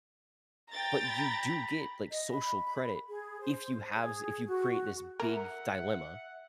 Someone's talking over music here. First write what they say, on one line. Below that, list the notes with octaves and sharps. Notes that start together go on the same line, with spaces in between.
but you do get, like, social credit if you have z if you create this big dilemma,
G5 A#5 A6
B5
D#5
B5
G#4
C5
G#4
F#4
A#4 E5 F#5